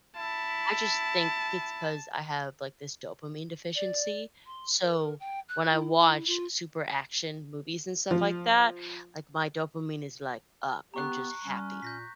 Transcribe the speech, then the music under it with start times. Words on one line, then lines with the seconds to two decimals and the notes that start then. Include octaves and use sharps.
I just think it's 'cause I have, like, this dopamine deficiency, so, when I watch super action movies and stuff like that, like, my dopamine is, like, up, and just happy.
0.17 E4 A5
3.75 D5
4.46 C6
4.81 A#4
5.20 G5
5.49 F#6
5.70 E4
6.27 F4
8.11 F3
10.94 B3 G4 A#5 C#6 F#6
11.44 G3 C#4
11.82 A#2 G6 A#6 B6